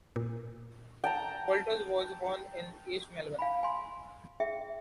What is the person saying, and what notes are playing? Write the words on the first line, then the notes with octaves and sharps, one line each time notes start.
Walters was born in East Melbourne.
A#2
G5 A5 A#5
F5 G#5 B5
G#5 C6
G#4 E5 G5